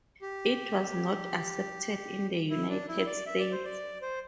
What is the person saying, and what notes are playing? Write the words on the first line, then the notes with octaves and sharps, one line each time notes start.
It was not accepted in the United States.
G4
E4
D4
E4
D5
E5
D5
C5
D5
C5